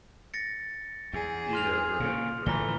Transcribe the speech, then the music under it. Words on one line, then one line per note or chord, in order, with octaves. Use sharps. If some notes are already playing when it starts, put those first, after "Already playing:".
Yeah, right, right.
A6 A#6 C#7
E2 G#4
C6 F6 F7
A#2 C#3
A2 D3 E3 F3 A3 A#5 G7